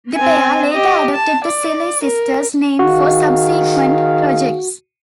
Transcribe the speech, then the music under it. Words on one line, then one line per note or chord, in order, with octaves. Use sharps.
The pair later adopted the Silly Sisters name for subsequent projects.
C4 G#5
G4 D#5
A5
D5
A#4
D#3 F#4 G#4 F5